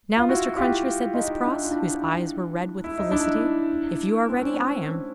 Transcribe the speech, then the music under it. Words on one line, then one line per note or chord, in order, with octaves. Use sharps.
"Now, Mr. Cruncher," said Miss Pross, whose eyes were red with felicity; "if you are ready, I am."
F4
E4 F#4
F4 G4
D#4 F4
D4 E4
F4
D4 E4
E4
D#4
D4 E4
C4
C#4
C4 D4